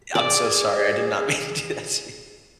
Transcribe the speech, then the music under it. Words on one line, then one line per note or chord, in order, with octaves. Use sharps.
I'm so sorry. I did not mean to do that to you.
G#4 D5